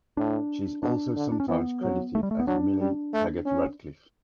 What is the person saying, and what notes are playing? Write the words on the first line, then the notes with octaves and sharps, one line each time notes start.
She is also sometimes credited as Millee Taggart-Radcliffe.
A2 D4
B2 D4
D3
D4
C#4
E3 B3
F#3
A3
G3
A3
B3
F#3 D4
G3
A3
C#4